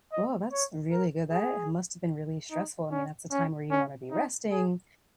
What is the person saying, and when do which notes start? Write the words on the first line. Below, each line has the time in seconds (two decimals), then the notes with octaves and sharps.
Whoa, that's really good, that ha must've been really stressful, I mean, that's the time where you wanna be resting,
0.12 D#5
0.52 C#5
0.92 A#4
1.32 G#4
2.51 D#4
2.91 C#4
3.31 C#4
3.71 C#4
4.11 D#4
4.51 G#4